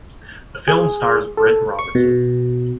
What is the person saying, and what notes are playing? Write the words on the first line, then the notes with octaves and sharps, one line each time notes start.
The film stars Britt Robertson.
G#4
A4
C#6
B2